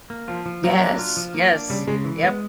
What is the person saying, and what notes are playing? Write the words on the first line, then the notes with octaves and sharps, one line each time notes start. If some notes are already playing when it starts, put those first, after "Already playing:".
Yes, yes, yep.
A#3
F3 F4
F3
F#3 A#3
D4
F4
F3
A#3
D4
C#3 G3
C#3 G#3
E3
G#3 B3